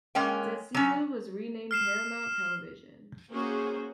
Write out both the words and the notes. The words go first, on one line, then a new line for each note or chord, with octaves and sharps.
Desilu was renamed Paramount Television.
G#3 A#3 C#4 G5
F#3 C#4
F6 C7 E7
A#3 C#4 F#4 G#4 C5